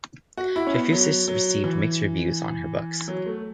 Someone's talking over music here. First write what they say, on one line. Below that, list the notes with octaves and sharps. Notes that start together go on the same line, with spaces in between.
Trefusis received mixed reviews on her books.
F#4
E4
C#4
B3
F#3
F#3
E3
F#3
A3